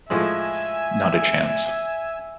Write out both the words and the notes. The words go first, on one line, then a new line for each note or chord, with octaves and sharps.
Not a chance!
A2 F3 G#3 E5 G#5 E6